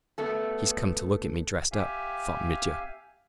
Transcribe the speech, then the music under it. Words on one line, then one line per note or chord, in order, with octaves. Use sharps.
"He's come to look at me dressed up," thought Mitya.
A3 B3 A4
G4 E5 F5 G#5